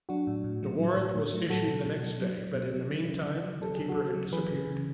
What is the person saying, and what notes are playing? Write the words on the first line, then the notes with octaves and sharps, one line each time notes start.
The warrant was issued the next day, but in the meantime the keeper had disappeared.
F#3 D4 F#4
A2
A2
F#3
F#3
A2
A2
F#3
F#3 F#4 A4
B2
B2
F#3
F#3
B2
B2
F#3
F#3
C#3
C#3
F#3
F#3 A4
C#3 G#4
F#4 A4
C#3
F#3
E3 G#4 B4
C#3
C#3